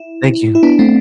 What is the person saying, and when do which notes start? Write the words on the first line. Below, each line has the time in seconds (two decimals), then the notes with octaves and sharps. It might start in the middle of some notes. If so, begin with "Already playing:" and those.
Thank you.
Already playing: E4
0.55 E4
0.63 B3 D4
0.79 A3 C4